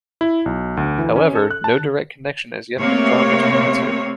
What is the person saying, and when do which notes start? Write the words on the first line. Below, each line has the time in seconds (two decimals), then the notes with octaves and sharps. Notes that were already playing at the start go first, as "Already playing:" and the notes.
However, no direct connection has yet been drawn between the two.
0.21 E4
0.46 B1
0.77 D2
0.98 E3
1.16 C#4
1.35 A4
1.51 F#6
1.64 A5
2.79 C3 A3 A#3 C4 C#5